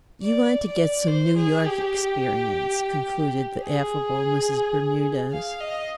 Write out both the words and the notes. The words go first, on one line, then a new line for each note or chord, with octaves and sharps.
"You want to get some New York experience," concluded the affable Mrs. Bermudez.
D5
D5
C5
G#4
G4
G#4
F5
D#5